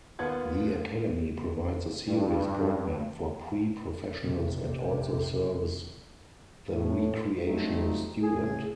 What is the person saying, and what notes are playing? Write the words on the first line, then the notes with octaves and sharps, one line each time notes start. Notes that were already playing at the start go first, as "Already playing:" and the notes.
The academy provides a serious program for pre-professionals and also serves the recreational student.
D#2 B3 F4 F#5 G#6
G2
A#1 C3
A2
F#3 G3 A3 C4 D#4 F4
A2 G#4